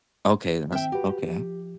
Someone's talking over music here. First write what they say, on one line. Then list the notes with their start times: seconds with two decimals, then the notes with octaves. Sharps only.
Okay, then that's okay.
0.72 D#3 C4 E5 G5
0.92 F#4 G4 B4
1.28 F3